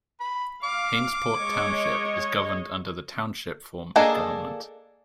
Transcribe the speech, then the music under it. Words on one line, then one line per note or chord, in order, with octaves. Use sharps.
Hainesport Township is governed under the Township form of government.
B5
F5 D6
G#3 C#5 D#5
A#3 D4 G#4 A4 D#5